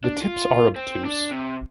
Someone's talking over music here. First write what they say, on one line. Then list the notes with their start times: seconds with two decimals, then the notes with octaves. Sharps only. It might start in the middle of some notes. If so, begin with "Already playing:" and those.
The tips are obtuse.
0.04 D4
0.22 F4
0.76 C4
1.05 D4
1.31 C3